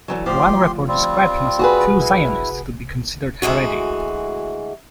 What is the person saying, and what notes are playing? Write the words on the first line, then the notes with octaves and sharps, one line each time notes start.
One report described him as too Zionist to be considered Haredi.
D3 E3 F#3
D2 F3 G4 C6
G3 C4 F4
F#4 G#4 B4
E4
D2 E3 G#3 F#4